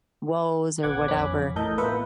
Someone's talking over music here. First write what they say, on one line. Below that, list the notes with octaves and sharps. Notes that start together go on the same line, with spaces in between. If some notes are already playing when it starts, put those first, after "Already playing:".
woes or whatever.
A#1 B3 F#5 D6 G#6
F2 C#4 B5 D6
F2
A1 A2 A4 A#4 D#5 G6
A#3 B3 F4 B4 E5 F#5